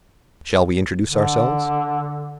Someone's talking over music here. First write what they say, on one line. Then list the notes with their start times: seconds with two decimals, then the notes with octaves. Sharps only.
Shall we introduce ourselves?
1.09 D3